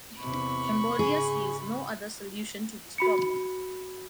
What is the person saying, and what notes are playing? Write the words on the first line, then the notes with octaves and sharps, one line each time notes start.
Cambodia sees no other solution to this problem.
E2 C3 B5 C#6
G#2 C#3 G#4
F#4 B5 C#7